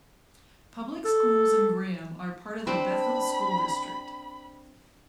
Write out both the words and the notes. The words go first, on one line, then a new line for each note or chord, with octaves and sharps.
Public schools in Graham are part of the Bethel School District.
A4
C4 D4 D5 B5